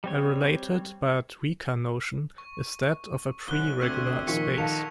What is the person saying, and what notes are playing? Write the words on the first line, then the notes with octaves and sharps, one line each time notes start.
A related, but weaker, notion is that of a preregular space.
G3 C4 C#5
C#6
C2 F#2 F#6 G7
D2 C3 C#6 E6 G#6
A#2 D#3 F3 C#6 B6 C#7
D#3 D#4 A4 F5 A5 F7